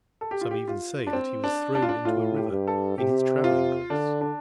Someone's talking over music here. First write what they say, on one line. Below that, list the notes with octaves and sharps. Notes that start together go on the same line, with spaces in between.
Some even say, that he was thrown into a river, in his travelling dress.
A4
G4
F4
G4
F4
D4
C4
D4
D4
F4
D4
A2 F4
G4
G2
A4
C3 G4
F4
D3 D4
D4